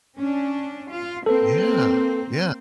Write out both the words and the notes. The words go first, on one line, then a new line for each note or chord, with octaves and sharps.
Yeah, yeah.
C#4 D4
F4
A#3 C4 A4 B4